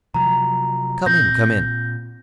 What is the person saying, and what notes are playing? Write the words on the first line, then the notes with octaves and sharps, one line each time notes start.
Come in, come in.
C3 F3 F#3 A#5
A#2 C4 G6 A#6